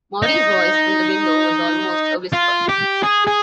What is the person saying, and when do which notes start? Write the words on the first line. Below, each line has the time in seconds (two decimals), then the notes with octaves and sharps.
Maury's voice from the window was almost a whisper.
0.23 D#4
2.33 F4
2.69 G4
3.03 G#4
3.27 G#4